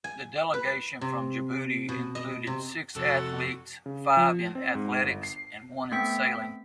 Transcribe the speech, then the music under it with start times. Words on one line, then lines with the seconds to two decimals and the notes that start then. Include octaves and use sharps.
The delegation from Djibouti included six athletes, five in athletics and one in sailing.
0.04 G#5
0.54 B4
1.01 C3
1.89 B2
2.15 D#5
2.47 C3
2.96 F2 C3 F#4 A4
3.86 C#3
4.17 F3
4.55 C4
4.75 G#2
5.04 G1
5.23 C7
5.91 A3 B3 C4 G5 B6